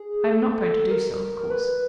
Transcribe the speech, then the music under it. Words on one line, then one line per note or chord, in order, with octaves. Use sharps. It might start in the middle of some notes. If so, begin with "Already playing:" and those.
I am not going to do so, of course.
Already playing: G#4
A4
A#4
B4